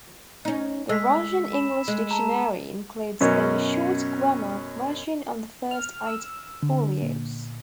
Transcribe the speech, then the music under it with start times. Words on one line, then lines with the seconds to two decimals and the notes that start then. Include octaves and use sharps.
The Russian-English dictionary includes a short grammar of Russian on the first eight folios.
0.45 C#4 D#4
0.89 G#3 E6 B6
1.53 B5 E7
1.88 G#3
2.09 A5 A#5 E7
3.20 F#2 B2 C#4
5.71 F6
6.07 E6
6.63 D3
7.02 A#2